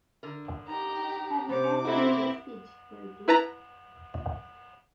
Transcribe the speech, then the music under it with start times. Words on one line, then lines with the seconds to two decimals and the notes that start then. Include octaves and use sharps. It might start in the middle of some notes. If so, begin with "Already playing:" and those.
Have you ever made a speech, Bertie?
0.23 D3 A#4
0.68 D#4 G4 A#5
1.49 C3 B3 C5 D6
1.85 C4 E4 F#4 A4 E5
3.28 E4 B4 A5 A#5